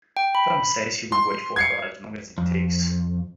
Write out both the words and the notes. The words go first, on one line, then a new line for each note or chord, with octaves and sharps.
Tom says he will wait for her as long as it takes.
G5
B5
C6
G#6 C7 C#7
F2